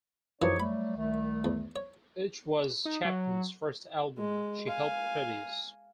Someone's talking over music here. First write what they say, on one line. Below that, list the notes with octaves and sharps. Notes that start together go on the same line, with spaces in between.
It was Chapman's first album she helped produce.
F#2 E3 F3 D#4 G4 C#5
F#3 G3 A3 B5
C2 D#3 A3
E2
C#5
D#4
F#3
G#3
F5 G#5